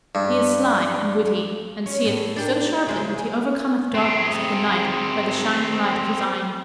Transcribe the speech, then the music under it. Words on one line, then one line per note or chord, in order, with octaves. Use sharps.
He is slye and wittie, and seeth so sharpely that he overcommeth darkness of the nighte by the shyninge lyghte of his eyne.
G2
C#4
A2
D4 G4 A#4
C#3 G#3 E4
C4 G#4